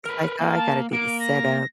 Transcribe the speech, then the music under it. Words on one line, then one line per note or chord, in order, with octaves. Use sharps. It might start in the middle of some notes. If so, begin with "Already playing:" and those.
it's, like, I got to do the setup
A#4 B4
A#3
A5
A#3 D7
A#6